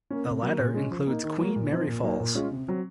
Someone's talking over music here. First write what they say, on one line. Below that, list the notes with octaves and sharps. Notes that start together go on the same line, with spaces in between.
The latter includes Queen Mary Falls.
A#3 C#4
C3
F#3 A#3
A#2
G#3 C#4
F3
A#3 D#4
D#3
F#3 A#3
A#2
F3 C4 D#4
A#2
F#3 A#3 D#4
A#2
G#3 C#4 F4
C3
F#3 C4